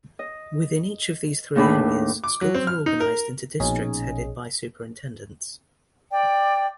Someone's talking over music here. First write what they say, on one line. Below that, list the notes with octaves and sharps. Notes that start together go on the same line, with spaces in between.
Within each of these three areas, schools are organized into districts headed by superintendents.
D#5
D#2 A2 D4 G#4 B5
D6
F#3
C4
F6
D#4
A#4
A#1 B2 C#4 D#4 G#4
D5 G5